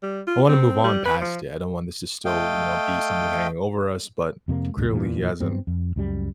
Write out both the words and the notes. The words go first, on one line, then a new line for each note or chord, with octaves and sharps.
I wanna move on past it; I don't want this to still, you know, be something hanging over us, but clearly, he hasn't,
G3
F4
C4
G3
B4
F3
A3 D#5 F5 G5
F2 C3 A3 A#3
C#2 G2 A#2
E2 A#2 E3
G2 F#3 B3 C4
F2
C#2 F#2 G3